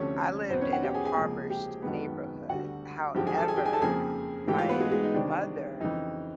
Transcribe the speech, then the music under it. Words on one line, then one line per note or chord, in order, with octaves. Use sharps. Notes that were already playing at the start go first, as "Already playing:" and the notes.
I lived in a poverished neighborhood, however, my mother,
Already playing: D2 C3 F3 A3 C#4 C#5
E2 B2 F#3 B3 C4 C5
C#4 C#5
F#4 F#5
G4 G5
G#4 G#5
G#4 G#5
C#2 C3 F3 A#3
G4 G5
G#1 F#2 D#3 G#3 B3
D2 D3 G3 F#4 F#5
G#1 F#2 D3 F3 G#3 G4 G5
G#4 G#5
A4 A5
G#4 G#5
G4 G5
G#4 G#5
A4 A5
F2 C#3 F3 A#3 G#4 G#5
G#2 E3 A3 G4 G5
F4 F5
B3 B4
G#3 G#4
G#3 G#4
D#4
C2 C3 D#3 D4
F2 C#3 E3 D#4